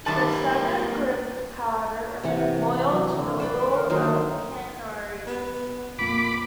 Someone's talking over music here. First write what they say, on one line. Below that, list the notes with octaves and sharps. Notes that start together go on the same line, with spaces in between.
The southern group, however, remained loyal to the rule of Cannanore.
F#2 D#3 G3 A#3 B4 A5
C3 E3 F#5
F#3
D3
B4 C5 D5 B5
D3 A#4
D#3 F#3 A#3 C5
B3
F2 A#2 A#3 B5 D6